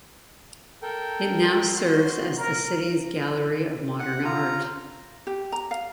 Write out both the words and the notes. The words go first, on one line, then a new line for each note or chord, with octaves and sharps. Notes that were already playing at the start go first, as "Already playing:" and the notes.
It now serves as the city's Gallery of Modern Art.
A4 A#4 G5
F#4 C6
A#4
F#5
F4 A#5
G4
A#5
F5